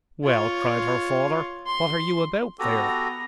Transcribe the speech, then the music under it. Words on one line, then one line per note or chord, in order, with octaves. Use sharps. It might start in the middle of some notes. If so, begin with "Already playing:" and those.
"Well!" cried her father, "what are you about there?"
F4 C#5
C6
B3 F#4 G4 A4 A#5